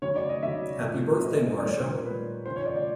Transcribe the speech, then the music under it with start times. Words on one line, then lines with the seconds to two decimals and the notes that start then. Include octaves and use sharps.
Happy Birthday, Marsha!
0.02 C#3 F#3 C#5
0.16 D5
0.29 D#5
0.43 C#3 F#3 E5
0.83 A2 F3
1.24 A2 F3 D#5
1.57 D5
1.64 A#2 G3 C#5
1.78 C5
1.91 A#4
2.05 A#2 G3 B4
2.46 C#3 F3 C5
2.56 C#5
2.66 D5
2.76 D5